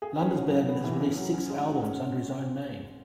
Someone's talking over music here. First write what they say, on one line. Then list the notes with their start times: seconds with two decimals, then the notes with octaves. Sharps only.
Landesbergen has released six albums under his own name.
0.02 G#4
0.19 C#4
0.35 F#3
0.51 C#3
0.68 B3
0.84 E3
1.01 C#4
1.17 F#3
1.34 C#4
1.50 G#3
1.66 F#4
1.83 C#4